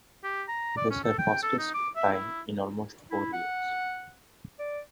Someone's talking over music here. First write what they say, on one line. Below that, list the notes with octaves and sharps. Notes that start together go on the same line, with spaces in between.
It was her fastest time in almost four years.
G4
A#5
D5
C#4
A4
G5
A4
D#4
D6
E5
E4
E4
F#5
D5